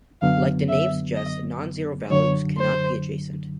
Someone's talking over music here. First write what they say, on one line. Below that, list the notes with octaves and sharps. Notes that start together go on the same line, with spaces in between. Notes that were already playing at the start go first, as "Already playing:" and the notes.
Like the name suggests, non-zero values cannot be adjacent.
F#2 D3 F#3 B3 F5
E5
D#5
F#2 D3 F#3 C#5
C5